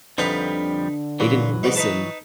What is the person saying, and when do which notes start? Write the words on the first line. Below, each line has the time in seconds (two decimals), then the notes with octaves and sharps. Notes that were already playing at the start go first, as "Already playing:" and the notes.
they didn't listen
0.18 F2 D3 F3 G3 D#4 B4 A#5
1.20 A#2 E3 F#3
1.63 G#2 B2 G3
1.75 D#4 B4 A5